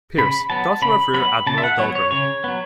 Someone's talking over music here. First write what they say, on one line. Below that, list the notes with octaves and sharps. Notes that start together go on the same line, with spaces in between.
Pierce, daughter of Rear Admiral Dahlgren.
C#3 B5
F#3 B3 A5
C#3 B5
F#3 B3 B5
C#3 A5
E5
F#5
F#3 B3 C#5
C#5
C#3 C#5
F#3 B3